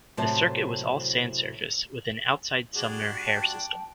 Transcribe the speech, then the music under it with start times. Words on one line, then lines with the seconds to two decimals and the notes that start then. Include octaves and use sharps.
The circuit was all sand surface with an 'Outside Sumner' hare system.
0.17 A2 C3 F#3 C5 F#5 A5
2.74 G3 D4 F#4 G#4
3.25 G5 A5